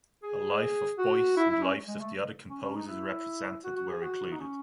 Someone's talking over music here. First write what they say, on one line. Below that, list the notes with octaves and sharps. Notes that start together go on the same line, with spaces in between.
A life of Boyce and lives of the other composers represented were included.
G#4
F#4
E4
E4
C#4
G#3
A3
C#4
C#4
D#4
E4
F#4
F#4
G#4
F#4
D#4
C#4